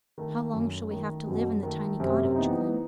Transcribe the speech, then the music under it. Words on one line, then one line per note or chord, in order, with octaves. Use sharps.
"How long shall we have to live in the tiny cottage, Clym?"
D#3 A3
F#2
D#3 A3
F#2 B2
D#3 A3
F#2 C3
E3 B3 D#4